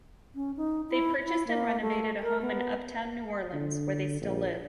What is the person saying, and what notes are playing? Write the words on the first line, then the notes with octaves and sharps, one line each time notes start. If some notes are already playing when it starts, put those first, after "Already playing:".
They purchased and renovated a home in Uptown New Orleans, where they still live.
C#4
D#4
E4
E4
A#3
A3
A#4
B3
D3
A#1